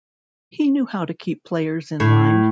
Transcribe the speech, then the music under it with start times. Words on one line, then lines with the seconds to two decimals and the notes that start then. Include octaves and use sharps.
He knew how to keep players in line.
2.00 A2